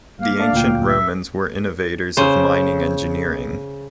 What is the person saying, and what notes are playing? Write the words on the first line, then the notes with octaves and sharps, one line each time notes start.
The ancient Romans were innovators of mining engineering.
A#3 F5
A3 D4 D5
D2 A#2 G5
E5
C#3 C5